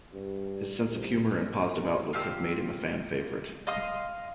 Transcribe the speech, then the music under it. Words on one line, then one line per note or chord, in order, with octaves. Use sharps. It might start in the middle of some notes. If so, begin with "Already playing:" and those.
His sense of humor and positive outlook have made him a fan favorite.
G2
C2
F4 G4 E6
D#5 F5 C6 D#6